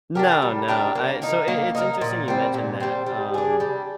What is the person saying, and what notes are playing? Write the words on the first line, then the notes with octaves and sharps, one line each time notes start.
No, no. I so, it it it's interesting you mentioned that, um,
D4 G4 A#4
G3
D4 G4 A#4
A#3
D#4 A#4
A#3
D#4 A#4
A#2
G3 C4
A#2
G3 C4
G3
D4 G#4
G3